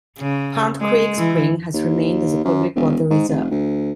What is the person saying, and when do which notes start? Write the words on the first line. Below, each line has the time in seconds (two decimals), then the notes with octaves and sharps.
Pound Creek Spring has remained as a public Water Reserve.
0.19 C#3
0.80 G#3
1.17 E3
1.74 D#2
2.45 F#2
2.76 E1
3.11 G#2
3.29 F1
3.51 D2